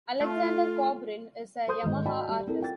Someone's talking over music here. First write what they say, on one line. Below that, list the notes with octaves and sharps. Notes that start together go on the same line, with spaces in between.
Alexander Kobrin is a Yamaha Artist.
A3 F4
A4 C5 C6 D#6 G6
G#1 G#2
F#4 D5 D#5 G5 A5 B5
G3
C4 E4 A4 A#4
F4 G5 A6